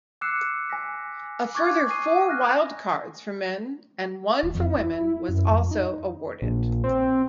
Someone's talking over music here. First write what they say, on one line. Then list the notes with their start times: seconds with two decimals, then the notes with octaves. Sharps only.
A further four wildcards for men and one for women was also awarded.
0.21 D6 E6 F#6 C7 C#7 E7
0.70 G#5 A#6 B6
1.55 C#6 D6 F#6 G#6 A6
1.89 G#5 C#6 D#6 C7 D#7
2.29 F6 F#6 A#6
4.43 D#1
4.55 F2
4.78 E4
5.29 F#2
5.51 F2
5.71 D#4
6.42 A#1
6.84 C4